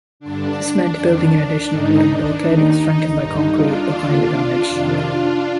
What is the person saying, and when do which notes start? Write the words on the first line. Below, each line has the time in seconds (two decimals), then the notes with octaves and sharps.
This meant building an additional wooden bulkhead, strengthened by concrete, behind the damage.
0.20 G2 D3 D4
0.94 F2 D#3
1.69 G#2 D#3 D#4
2.06 D4
2.43 D#2 D#3 D#4
3.18 G2 D3 D#4
3.55 D4 F4
3.93 D#2 D3
4.67 F2 C3 D#3